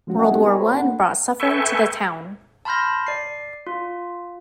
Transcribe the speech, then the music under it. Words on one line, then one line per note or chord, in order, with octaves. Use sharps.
World War One brought suffering to the town.
F3 G#3 C#4 F#4
A#4 D#5 E5 F#5 G#5
G3 B3 C4 D#4 G4 A4
A#4 D#5 G#5 A#5 C#6
F#4 A4 C5 C#5 B5 C6
A#3 C4 D4 F#5
A4 B4 E5 G5 G#5 C#6
A5 B5 C6 F6 G6 A#6
D5 C7
F4